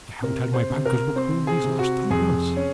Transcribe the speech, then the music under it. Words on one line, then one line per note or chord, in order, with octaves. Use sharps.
I haven't had my banker's book home these last three months.
C3 A#4
C5
C3
A#4
C4 C5
G#4
C3
F#4
F2 G#4
C#4